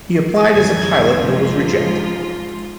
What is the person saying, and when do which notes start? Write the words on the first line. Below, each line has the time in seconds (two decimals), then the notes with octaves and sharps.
He applied as a pilot but was rejected.
0.55 F#2 D3 E3 D#4 G#6
1.18 F#1 G#2 F3 C#4 F4